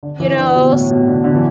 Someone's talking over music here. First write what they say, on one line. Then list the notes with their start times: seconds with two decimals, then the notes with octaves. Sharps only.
you know?
0.03 D3
0.20 E3
0.38 D3
0.55 B2
0.72 A2
0.90 B2
1.07 D3
1.24 D3
1.35 E3